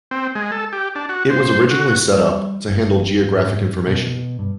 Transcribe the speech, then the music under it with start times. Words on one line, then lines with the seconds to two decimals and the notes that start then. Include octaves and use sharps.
It was originally set up to handle geographic information.
0.11 C4
0.35 G#3
0.52 A4
0.73 G4
0.95 D4
1.09 F#4
1.30 C5
1.71 F#4
2.18 G3
2.68 G1
3.19 G#2
3.87 B2
4.39 G2